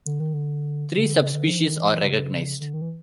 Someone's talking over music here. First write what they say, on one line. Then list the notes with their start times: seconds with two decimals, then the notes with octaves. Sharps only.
Three subspecies are recognized.
0.06 D3
0.20 D#3
0.34 D3
0.96 C#3
1.04 D3
1.19 C#3
1.33 D3
1.47 F3
1.58 E3
1.69 D#3
1.80 E3
2.03 C#3
2.60 D3
2.74 D#3
2.81 E3